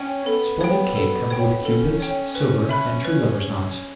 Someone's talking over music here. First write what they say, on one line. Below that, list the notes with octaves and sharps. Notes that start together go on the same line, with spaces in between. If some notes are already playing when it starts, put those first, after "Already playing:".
Splendid cake, covered with Cupids, silver, and true-lovers' knots.
Already playing: C#4 C#5 G5
B3 A4
C#5 G5
A4
C#5 G5
C#4 A4
C#5 G5
B4
E5 B5 F#6
B4